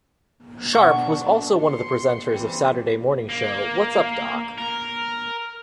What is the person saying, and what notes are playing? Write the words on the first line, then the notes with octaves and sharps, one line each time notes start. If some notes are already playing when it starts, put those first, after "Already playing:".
Sharp was also one of the presenters of Saturday morning show What's Up Doc?
B2 D4 A4 F#5 C#6
C6 C#7
E3 G3 C4
A#3
A#4